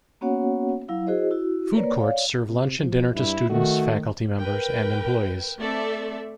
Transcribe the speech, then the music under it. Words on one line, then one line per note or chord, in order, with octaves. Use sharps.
Food courts serve lunch and dinner to students, faculty members, and employees.
A#3 B3 C#4 F#4 C#5 F#5
F#3 E4 F5
E4 F#4 G#4 C5 D#5
E4 F#4
A#3 A#4 B4 C#5 D5
C#5 D5 F5
C3
F3
G2 E4
D#3 A3 F#4
A#4 B4 G5
A3 C4 A4 D5 E5